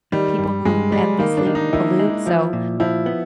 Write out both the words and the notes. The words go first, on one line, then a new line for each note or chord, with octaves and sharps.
people who endlessly pollute, so
D#3 G3
G2
G2 G#3
G3 G#3
D#3 A#3
D4
D#3
D#4
D#3 E4
G#3
F3 E4
A#2
F3 E4
B3